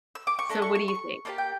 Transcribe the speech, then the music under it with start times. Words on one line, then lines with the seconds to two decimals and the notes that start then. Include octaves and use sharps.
So what do you think?
0.15 E6
0.27 D6
0.39 C#6
0.49 A3 D4 A4 A#5
0.62 C#6
0.75 C#6
0.88 C#6
1.25 A#3 D4 G4 A5
1.38 G5